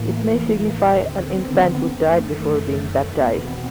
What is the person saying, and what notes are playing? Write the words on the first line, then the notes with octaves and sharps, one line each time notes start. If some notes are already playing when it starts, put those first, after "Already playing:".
It may signify an infant who died before being baptized.
Already playing: A2 E3 A#3
D#2 D3 C4
B3
F#2 D#3 A3
E2 B2 B3
C4